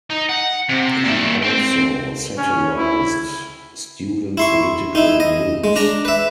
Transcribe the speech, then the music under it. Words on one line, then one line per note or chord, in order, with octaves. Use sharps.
He also satirized student political groups.
D#4
F#5
C3
A#2 E5
C4 C6
C#4
E4
E4 C6 C#6
D#4 E4
D#5
G#3
D4 A#5
B4 E5